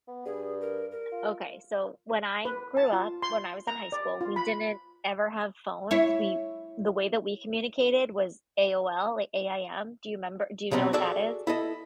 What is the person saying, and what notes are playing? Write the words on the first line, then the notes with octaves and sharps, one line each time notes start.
Okay, so, when I grew up, when I was in high school, we didn't ever have phones. We the way that we communicated was AOL like AIM. Do you 'member do you know what that is?
B3
G2 G#4
A#4
A#4
F4
B4
A5
F4
C6
A#5
D5
F4
B5
E4 C#5
B2 F#3 G3 C4 C#4
F#4 G#4 A4 D5 E5
E4 A4 D#5